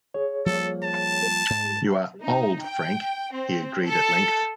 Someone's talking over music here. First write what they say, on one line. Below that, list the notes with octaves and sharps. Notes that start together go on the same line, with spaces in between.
"You are old, Frank," he agreed at length.
G#4 C#5
F3 G3 A#3 A4
A5
G#2
D#4
G5
C4
A4